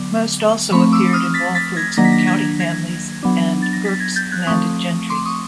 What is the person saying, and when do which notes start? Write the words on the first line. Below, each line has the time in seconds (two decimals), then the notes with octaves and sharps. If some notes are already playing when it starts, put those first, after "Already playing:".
Most also appeared in Walford's "County Families" and Burke's "Landed Gentry".
Already playing: D3 F#3 B3 D6
0.71 F3 A3 C4 B5 C#6
0.92 D6 E6
1.13 D#6 F6
1.34 A6 B6
1.55 A6 B6
1.77 G#6 A#6
1.97 D#3 F#3 A#3 D4 A#6
2.05 B6
2.12 A#6
2.19 B6
2.27 G#6 A#6
2.60 G#6 A#6
3.23 F#3 B3 D4
3.62 A6
3.73 A#6
3.84 A6 B6
4.00 G#6 A#6
4.15 G6 A6
4.31 F#6 G#6
4.47 F3 A3 C4 C#6 D#6
5.10 C6 D6
5.25 C#6 D#6